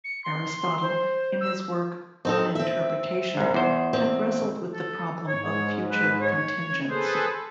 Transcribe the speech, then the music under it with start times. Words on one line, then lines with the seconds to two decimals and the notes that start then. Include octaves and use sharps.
Aristotle, in his work "On Interpretation", had wrestled with the problem of future contingents.
0.04 C#7
0.24 C6
0.82 C5
1.41 E6
2.25 C4 D#4 A4
2.55 C4 E5
3.37 C2 G#2
3.54 E2 C5
3.93 C4
4.73 A4
5.27 G#2 C#5
5.91 B4
6.21 C#5
6.90 G#4 A4 B4 C5